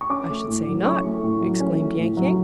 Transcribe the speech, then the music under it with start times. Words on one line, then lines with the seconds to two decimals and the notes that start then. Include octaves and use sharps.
"I should say not!" exclaimed Yank-Yank.
0.01 C#6
0.10 C#4 D6
0.29 A3
0.48 A2
0.67 F#3
0.85 C#4 C#6
1.05 A3
1.23 A2
1.41 F#3
1.60 C#4
1.79 A3
1.97 A2
2.17 F#3